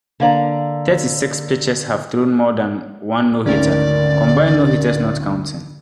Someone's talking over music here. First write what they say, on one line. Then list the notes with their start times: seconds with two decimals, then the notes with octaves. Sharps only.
Thirty-six pitchers have thrown more than one no-hitter, combined no-hitters not counting.
0.20 D3 A#3 D5 A#5
3.46 G#1 D2 D3 C#4 A#4 D5